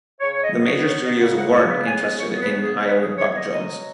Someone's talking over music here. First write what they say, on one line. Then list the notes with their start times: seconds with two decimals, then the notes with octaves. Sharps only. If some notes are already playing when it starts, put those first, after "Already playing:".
The major studios weren't interested in hiring Buck Jones.
0.20 C#3 C#5
0.34 C#5
0.43 D#5
0.54 B3
0.64 C#5
0.79 B4
0.87 F#3 C#5
1.04 D#5
1.20 C#3 F#5
1.37 F#5
1.53 B3 C#5
1.70 B4
1.87 C#3 G#5
2.03 D#5
2.20 B3 C#5
2.37 G#4
2.41 B4
2.52 C#3
2.63 G#4
2.85 C#3 B4
3.02 G#4
3.18 B3 C#5
3.35 D#5
3.51 F#3 D#5